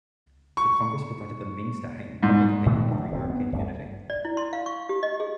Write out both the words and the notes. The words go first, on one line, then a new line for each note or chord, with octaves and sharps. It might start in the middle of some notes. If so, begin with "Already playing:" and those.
The Congress provided the means to heighten public opinion for European unity.
C#6
G#2
A#2 D#3 A3 B3
D3 E3 F#3 A3
D#1 B3 C4
B3
G1 D2
D5
E4
C6
F5
C#6
G4
D#5
G#4